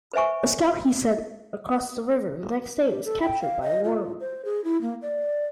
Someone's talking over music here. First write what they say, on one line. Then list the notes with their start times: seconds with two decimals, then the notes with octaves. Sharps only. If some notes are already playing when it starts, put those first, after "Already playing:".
A scout he sent across the river the next day was captured by Lorimier.
0.13 B4 C5 E5 G#5 C#6
2.90 G4
3.05 A4
3.22 G5
3.42 F5
3.62 D#5
3.84 F4
4.20 C5
4.45 G#4
4.64 E4
4.82 A#3
5.02 D5